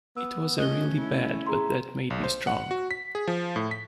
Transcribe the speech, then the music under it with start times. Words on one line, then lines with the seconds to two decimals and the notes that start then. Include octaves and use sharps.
It was really bad, but that made me strong.
0.17 B3 E6
0.58 A3 C#4 G4 D#5 F#6 G7
0.99 E4
1.46 G#4 A#5 C6
2.10 B1
2.24 C5
2.47 F#5
2.71 F#4
2.91 B6
3.15 G#4
3.28 F3
3.56 A2
3.71 B6